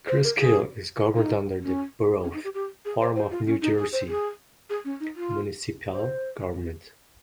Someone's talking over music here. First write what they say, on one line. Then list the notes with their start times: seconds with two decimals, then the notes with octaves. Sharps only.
Cresskill is governed under the Borough form of New Jersey municipal government.
0.08 C5
0.24 A#4
0.39 G#4
1.16 D#4
1.62 C#4
2.23 C#4
2.34 D#4
2.44 G4
2.54 G4
2.85 G#4
3.01 C5
3.16 C5
3.31 F4
3.47 C#4
3.62 D#4
3.77 G#4
3.93 C5
4.08 G#4
4.70 G#4
4.85 C#4
5.00 D#4
5.16 F4
5.92 C5